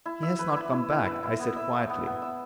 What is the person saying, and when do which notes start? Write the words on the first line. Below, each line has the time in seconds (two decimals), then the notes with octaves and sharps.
"He has not come back," I said quietly.
0.06 E4
0.23 E5
0.39 B4
0.57 E4
0.73 E4
0.89 E5
1.06 B4
1.23 E4
1.39 B3
1.56 E5
1.73 A4
1.90 B3
2.06 B3
2.22 E5